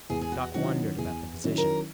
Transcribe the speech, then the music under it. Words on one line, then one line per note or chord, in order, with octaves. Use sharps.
Doc wondered about the physician.
E2 G#4
G#4
F#4
D#3 F#3 C#4 E4 F#4
E2 G#4
D#3 F#3 C#4 E4
A#4